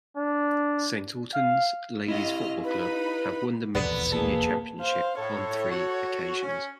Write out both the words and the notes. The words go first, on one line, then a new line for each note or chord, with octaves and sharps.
St.Ultans Ladies Football Club have won the Meath Senior Championship on three occasions.
D4
F5
E4 G4 D#5 F5 F6
D#4 B4 B5
E1 A#1 D#2 D3 B3
A#3 G#4 A4
C5 F5
A2 A4 C#5
F#4
C#4